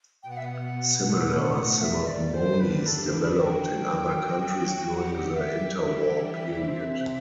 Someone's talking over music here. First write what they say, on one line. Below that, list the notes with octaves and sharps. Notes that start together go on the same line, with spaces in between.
Similar ceremonies developed in other countries during the inter-war period.
B2 B3 G5
F#5
E5
F#5
A2 A3
G2 G3 E5
D5
G2 G3
C5
D3 D4 B4
A4
E3 E4
C5
B4
F#3 F#4 G5
F#3 F#4
F#3 F#4
G3 G4 F#5
G3 G4 E5
E3 E4 E5
C3 C4